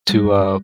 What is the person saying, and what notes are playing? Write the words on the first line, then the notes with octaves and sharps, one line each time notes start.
to, uh,
G3
G2
G3